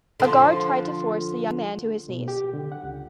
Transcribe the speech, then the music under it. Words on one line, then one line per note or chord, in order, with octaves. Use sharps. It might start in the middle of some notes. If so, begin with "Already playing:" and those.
A guard tried to force the young man to his knees.
D3 F3
B2
G4
D3
F#5
C#2